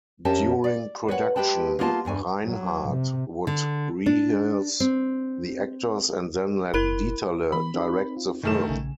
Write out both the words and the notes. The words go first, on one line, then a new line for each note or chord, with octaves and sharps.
During production, Reinhardt would rehearse the actors and then let Dieterle direct the film.
F2 C#4 G4 A#4 E5 A5
D5
B4 C#5 D#5 F#5
G#3 G4 B4 G5 A5
A#3 B3 E4 F4 D#5 A5
E2 G2 G#5
F#3
C3
D3
D4
C4
F#1 E4 A#4 B5
E3 B3 B5
C4 D#4 G4
F4
F#2 C3 D#3 A3 G#5 F6 E7
A#1 C#3 G#5